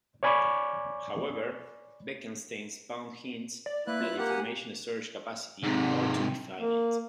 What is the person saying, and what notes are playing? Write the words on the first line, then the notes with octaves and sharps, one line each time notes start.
However, Bekenstein's bound hints that the information storage capacity ought to be finite.
C#5 D5 G#5 B5 C#6 D6
D5
A#3 E4 B4 F#6
F4
A#3 G4 F#5 F#6
G#5
G#2 C3
A#3